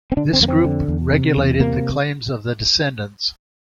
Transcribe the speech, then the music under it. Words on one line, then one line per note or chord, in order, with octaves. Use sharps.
This group regulated the claims of the descendants.
C4
D3 D4
C4
F2 A#3
C4
D3
E2
C3
E2
C3 A#3